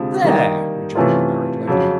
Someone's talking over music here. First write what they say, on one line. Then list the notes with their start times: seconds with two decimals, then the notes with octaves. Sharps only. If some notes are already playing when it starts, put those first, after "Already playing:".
'There!' rejoined the married lady.
Already playing: D2 C3 F3 G#3
0.24 D#3 G3 A#3 D#4 G4
0.95 C3 E3 A3 C#4 F4
1.67 F2 C#3 F#3